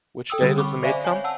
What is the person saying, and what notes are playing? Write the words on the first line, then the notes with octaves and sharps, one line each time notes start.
Which day does the maid come?
A4 G5 D#6 E6
D3 G3 C4 C#4
B5 C#6 D6
C5 D5 E5 F5 G#5
C#5 G#5
F#5 A5 E6